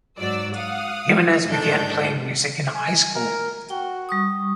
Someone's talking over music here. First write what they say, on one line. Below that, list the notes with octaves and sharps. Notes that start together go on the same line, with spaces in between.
Jimenez began playing music in high school.
G#2 F#3 D5 E6
F5 F#5 D#6
G#2 D#3 G#3 D4 A4 G6
G#5
A#4
F#4 G5
G3 C#6 D#6